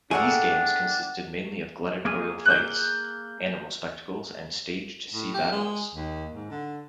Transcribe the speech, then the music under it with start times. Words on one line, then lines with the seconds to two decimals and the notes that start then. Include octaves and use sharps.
These games consisted mainly of gladiatorial fights, animal spectacles and staged sea battles.
0.11 A3 A#3 D4 G#4 F#5 G5
2.05 A#3 G#4 G#5
2.46 F#6 G6
5.13 A2
5.34 G4
5.52 G#3
5.95 D#2
6.33 G#2
6.50 D3